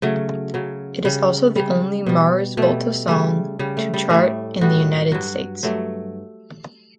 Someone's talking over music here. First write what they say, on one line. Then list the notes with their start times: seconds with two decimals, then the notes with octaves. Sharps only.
It is also the only Mars Volta song to chart in the United States.
0.02 C#3 F#3 A3
0.54 C#3 F#3
1.05 C#3 G3
1.56 C#3 G3
2.06 B2 G3
2.57 B2 G3 A3
3.08 C#3 G3 A3
3.59 C#3 G3
3.77 A3
3.94 G3
4.10 A2 G3 A3
4.61 A2 G3 F#4
5.12 G2 F#3 F#4
5.63 G2 F#3 A3